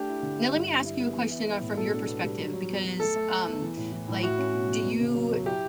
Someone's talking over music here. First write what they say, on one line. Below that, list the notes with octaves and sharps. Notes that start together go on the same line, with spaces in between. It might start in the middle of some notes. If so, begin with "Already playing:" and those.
Now, let me ask you a question, uh, from your perspective because, um, like, do you eh
Already playing: A3 D4 G4
E4
D3
E4
G2
E4
E4
B3
E3
E4
B3
A2
B2 A4
D4
B3
G3
F#3
F#3
E2
F#3
A3 A4
A3
A3
E2
E3
A2
E3
A2
E4 F#4
C#4
B2
B2
E2
C#3
F#3
F#3
E4 G4